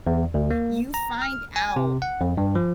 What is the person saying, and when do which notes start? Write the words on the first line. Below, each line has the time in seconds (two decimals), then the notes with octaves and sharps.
you find out
0.07 E2
0.34 D2
0.51 A#3
0.94 A#5
1.22 F6
1.56 G#5
1.76 C3
2.02 F#5
2.21 F2
2.37 G2
2.55 F3